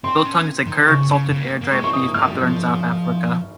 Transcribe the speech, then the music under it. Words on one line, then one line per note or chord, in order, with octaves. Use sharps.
Biltong is a cured, salted, air dried beef popular in South Africa.
C4 C6
C#4
D#3
C#3 C#6
C#3
C#3
A#3
A#3
G#3 C#6
C4 C#6
C4 D#6
A#3
A#3 F6
G3
F3